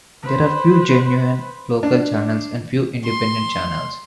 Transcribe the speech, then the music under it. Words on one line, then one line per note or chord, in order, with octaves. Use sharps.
There are few genuine local channels and few independent channels.
B4 C5
D4
C6